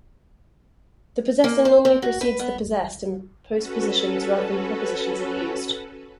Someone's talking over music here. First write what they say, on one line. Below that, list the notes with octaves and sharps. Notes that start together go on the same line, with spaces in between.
The possessor normally precedes the possessed, and postpositions rather than prepositions are used.
A#3
C5
C4
F#4
B4
B3
C#4 F#4 A4 B4